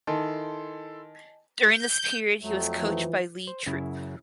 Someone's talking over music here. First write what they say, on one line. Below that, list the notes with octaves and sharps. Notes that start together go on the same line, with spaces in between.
During this period he was coached by Lee Troop.
D#3 E4 A4 D#5 G#5 A5 C6
G6
F2 F#3 A3
E3 F3
C5
F#2 C#3 E4